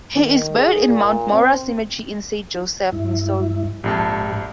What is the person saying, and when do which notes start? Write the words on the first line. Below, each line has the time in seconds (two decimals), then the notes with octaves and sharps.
He is buried in Mount Mora Cemetery in Saint Joseph, Missouri.
0.15 D#3
0.57 G#4
0.88 A#2
1.32 C4
2.92 G2 E4
3.84 A#1 F2 G#2 G4 A5